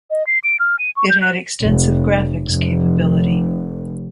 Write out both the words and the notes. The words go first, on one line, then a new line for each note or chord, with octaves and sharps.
It had extensive graphics capability.
D#5
C7
D7
F6
D#7
C#6
G6
F#6
F1
F1